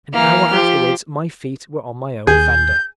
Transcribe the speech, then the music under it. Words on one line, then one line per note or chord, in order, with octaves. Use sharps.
An hour afterwards my feet were on my own fender.
E3 A#3 F6
F3 G4
D#2 G#4 G6